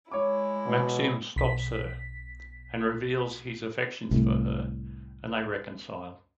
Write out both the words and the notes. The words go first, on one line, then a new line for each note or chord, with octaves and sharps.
Maxim stops her and reveals his affections for her and they reconcile.
G#3 E4 C#5 D6
B2
B1 B6
C2 A2